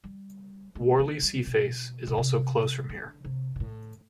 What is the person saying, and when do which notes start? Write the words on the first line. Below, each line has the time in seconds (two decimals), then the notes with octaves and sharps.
Worli Seaface is also close from here.
0.04 G3
0.75 A3
0.99 B3
1.23 G3
1.47 B2
2.07 B2
2.18 C3
2.89 D3
3.24 C3
3.56 B2
3.60 A2